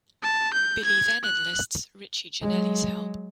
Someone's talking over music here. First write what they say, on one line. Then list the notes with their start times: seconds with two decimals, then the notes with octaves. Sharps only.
Billy then enlists Richie Ginelli's help.
0.23 A5
0.53 G6
0.85 G#6
1.23 F#6
2.41 F#3 G#3